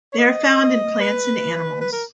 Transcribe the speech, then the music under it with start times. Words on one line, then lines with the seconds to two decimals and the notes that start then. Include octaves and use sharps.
They are found in plants and animals.
0.13 C#5
0.18 D#5
1.00 B4
1.81 B4
1.93 A#4